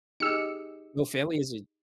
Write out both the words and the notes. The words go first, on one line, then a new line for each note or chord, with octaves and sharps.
no family is a
D#4 G4 G#4 E6 C#7